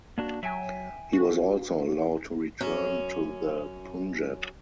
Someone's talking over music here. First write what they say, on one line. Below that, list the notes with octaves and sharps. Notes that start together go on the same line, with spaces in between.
He was also allowed to return to the Punjab.
A#3 D4 F#4
F#3 E5 G5 G#5
F#4
F#2 C#4